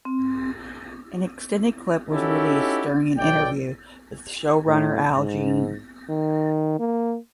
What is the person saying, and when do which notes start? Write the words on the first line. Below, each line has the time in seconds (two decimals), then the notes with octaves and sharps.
An extended clip was released during an interview with showrunner Al Jean.
0.05 C4
2.12 C#4 D#4 E4 F#4 G4 A4
3.18 B1 D5 G5
4.67 A2
5.16 G#2
6.09 D#3
6.79 A#3